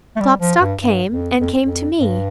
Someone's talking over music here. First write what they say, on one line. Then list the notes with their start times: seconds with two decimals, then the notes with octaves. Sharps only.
Klopstock came, and came to me.
0.16 A3
0.21 G3
0.40 F3
0.60 G2
0.81 G2
1.10 F2
1.40 F2
1.61 F2
1.99 G2